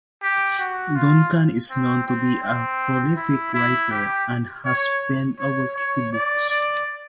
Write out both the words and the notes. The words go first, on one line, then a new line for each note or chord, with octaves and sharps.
Duncan is known to be a prolific writer and has penned over fifty books.
G4
F#4
F4
C4
C4
C4
E4
E4
G4
C#5
C#5
C#5
D5
D5